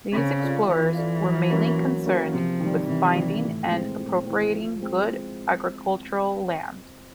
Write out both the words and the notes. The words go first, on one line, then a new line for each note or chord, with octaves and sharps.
These explorers were mainly concerned with finding and appropriating good agricultural land.
C#3 C4
F4 A4 D5 F5
E3 C4
F4 A4 D5 F5
F#3
A#3 C#4 F#4 A#4
F#3
A#3 C#4 F#4 A#4
C3 F3
D#3
G3
C3 E3
D#3 G3
A2
E3 G#3 C4
A2
E3 G#3 C4
F3
G#3 C4